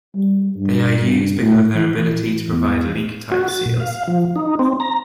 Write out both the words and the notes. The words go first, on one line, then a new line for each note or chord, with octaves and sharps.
They are used because of their ability to provide leak-tight seals.
G3
G2
G2
A2
E3
E3
E2
F#4
A6
A#2
F5
F3
D#4
C4
A#5